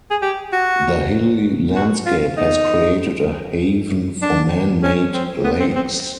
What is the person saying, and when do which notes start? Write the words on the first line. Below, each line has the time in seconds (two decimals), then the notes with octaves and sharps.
The hilly landscape has created a haven for man-made lakes.
0.11 G#4
0.22 G4
0.53 F#4
1.76 F#4
2.06 F4
2.37 D#4
4.22 D4
4.83 C#4
5.14 C4
5.44 B3
5.60 C4
5.75 C4